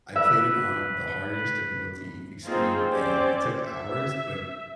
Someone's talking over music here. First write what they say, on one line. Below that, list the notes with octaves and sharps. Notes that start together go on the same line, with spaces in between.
I played it on the hardest difficulty, extreme, and it took hours, but
B4 E5
A#3 C4 D#4 F4 G#4
C4 C#4 G4 C5 D5
E5